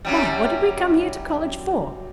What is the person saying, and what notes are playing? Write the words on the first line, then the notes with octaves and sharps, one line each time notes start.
Why, what did we come here to college for?
F#2 F#3 G3